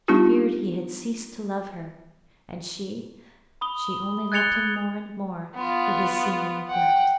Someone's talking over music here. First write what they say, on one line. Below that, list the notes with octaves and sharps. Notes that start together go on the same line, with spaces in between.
She feared he had ceased to love her; and she--she only loved him more and more for his seeming neglect.
G3 B3 D4 D#4 F4 G4
B5 D#6 G7
F#6 G#6 A6 C#7 F7 G7
B3 F4
F#5 G5